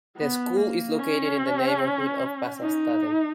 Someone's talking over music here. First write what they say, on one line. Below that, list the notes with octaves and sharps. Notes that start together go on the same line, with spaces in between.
The school is located in the neighbourhood of Vasastaden.
B3
A#3
C#4
D#4